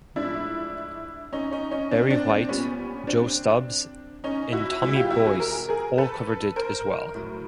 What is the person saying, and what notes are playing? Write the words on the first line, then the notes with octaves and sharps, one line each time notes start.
Barry White, Joe Stubbs and Tommy Boyce all covered it as well.
A2 F3 G#3 D4 E4
C#4 D#4
C#4 D#4
C#4 D#4
C4 D4
C4 D4
C4 D4
A#2 G3 B3 C#4
C4 D4
C#4 D#4
E4 F#4
C3 E3 G#3 E4 F#4
F4 G4
E4 F#4
F#4 G#4
G#4 A#4
G#4 A#4
A4 B4
A#4 C5
A2 F#3